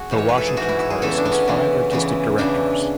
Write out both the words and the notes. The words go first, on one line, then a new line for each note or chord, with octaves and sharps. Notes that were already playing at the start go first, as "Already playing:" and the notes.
The Washington Chorus has had five artistic directors.
Already playing: F#4 G#4
G#2 E3
C#5
B4
A4
G#4
G#2 E3 F#4
E4
E4
G#4
E2 C#3 E3 A4
D4
B3
C#4
E2 C#3 E3
E2 C#3 E3
E2 C#3 E3 D4